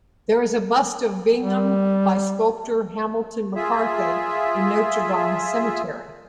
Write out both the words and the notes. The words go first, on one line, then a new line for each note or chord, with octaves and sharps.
There is a bust of Bingham by sculptor Hamilton MacCarthy in Notre-Dame Cemetery.
G3
F4 G#4 E5